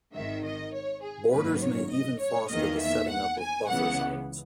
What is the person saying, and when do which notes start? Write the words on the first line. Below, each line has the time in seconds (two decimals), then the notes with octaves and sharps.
Borders may even foster the setting up of buffer zones.
0.14 G#1 G#2 D#3 E5
0.44 D#5
0.73 C#5
1.02 G#4
1.31 G#1 F#2 D#3 F#3 A#3 B4
1.62 C#5
1.90 D#5
2.20 C#5
2.49 E2 D#3 A#3 D#5
2.80 E5
3.09 F#5
3.39 G#5
3.68 C#2 C#3 E3 B3 F#5